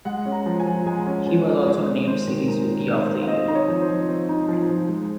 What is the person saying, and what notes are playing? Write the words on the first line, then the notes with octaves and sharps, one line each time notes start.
He was also named series Rookie of the Year.
G#3 F#5
C#4
A#5
F3
G#5
F3
G#3 G#5
C#4
F3
F3
G#3 C5
C#4
D#3 C5
D#3
G#3 A#4
C#4
A#4
D#3
C5
D#3
F5
C4 D#5
D#4
C#5
F3
C5
F3
C4
D#4
F3
F3
G#3